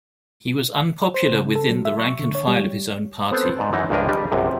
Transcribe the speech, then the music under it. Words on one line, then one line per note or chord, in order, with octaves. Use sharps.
He was unpopular within the rank and file of his own party.
C5
C#3
A4
F#3
E5
C#6
D3
C#5
G3
B3 C4 A4 C5
G#2 D5 A5
F#2 E3 D#4
C#2 G2 F3 D4 A#4 G#5
G3 D4 G4 D#5
A#1 F#2 C3